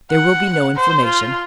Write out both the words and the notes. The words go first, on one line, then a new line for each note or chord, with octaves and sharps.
There will be no inflammation.
F#5
C5
F4